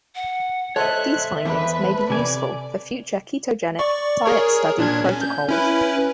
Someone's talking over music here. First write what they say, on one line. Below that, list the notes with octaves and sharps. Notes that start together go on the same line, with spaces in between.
These findings may be useful for future ketogenic diet study protocols.
F#5
A4 C5 C#5 D#5 E5 F#6
E2 B4
C3 D5 G#5
D5 C#6
G#4 A#4 C#5
A#2 D4 G#6
C#4
G6
C#4 E4 B4